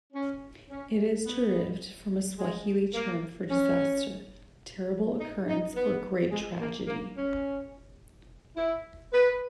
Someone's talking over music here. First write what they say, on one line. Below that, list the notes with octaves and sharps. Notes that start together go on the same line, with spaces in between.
It is derived from a Swahili term for "disaster, terrible occurrence or great tragedy".
C#4
C#4
B3
G#3
A#3
C#4
D#4
D#4
B3
G#3
A#3
A#3
C#4
E4
B4